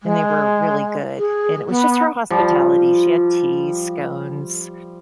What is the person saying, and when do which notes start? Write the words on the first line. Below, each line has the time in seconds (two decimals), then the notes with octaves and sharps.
and they were really good. And it was just her hospitality. She had teas, scones,
0.01 G#3
1.17 G#4
1.68 B3
2.30 F3 G3